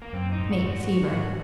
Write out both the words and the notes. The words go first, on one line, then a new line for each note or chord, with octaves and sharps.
Mate fever.
A#3
F#2 C4
D#4
G#2
F#4
F#2
G#2
F#4
F#4
G#2 F#4